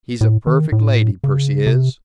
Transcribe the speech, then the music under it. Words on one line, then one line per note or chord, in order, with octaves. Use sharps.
He's a perfect lady, Percy is.
A2
D#3
A2
C#3
C3